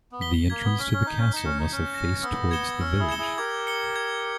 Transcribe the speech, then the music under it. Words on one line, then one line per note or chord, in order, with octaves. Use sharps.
The entrance to the castle must have faced towards the village.
B3
B6 G7
A#3 G#6
B3
C#4 B6 G7
C#4
D#4 G6
C#4
D#4 A#6 C#7 E7
C#4
D#4
G6
C#4
A#6 C#7 E7
B3 E6
G#6 C#7 E7 G7
C#4 E6
E4 G#4
G#6 C#7 E7 G7
E4 G#4
G4 A#4 G#6
C#7 G7
G#6